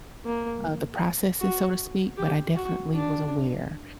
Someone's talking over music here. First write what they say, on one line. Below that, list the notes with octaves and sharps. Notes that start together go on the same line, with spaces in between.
uh, the processes, so to speak, but I definitely was aware,
A#3
F#4
G4
F#4
D4